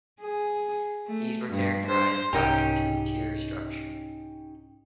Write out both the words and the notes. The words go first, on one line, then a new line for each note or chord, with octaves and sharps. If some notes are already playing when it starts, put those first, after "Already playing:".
These were characterized by a two-tier structure.
G#4
A3
G2
C5
C2 G#2 F#3 C#4 D#4 G4 A#4 G5